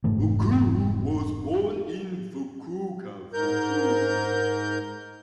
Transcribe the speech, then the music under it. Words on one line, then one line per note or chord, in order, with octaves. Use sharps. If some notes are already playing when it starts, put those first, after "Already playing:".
Oku was born in Fukuoka, Fukuoka.
F1 G#2 E3 A3
G#2 A#4 G6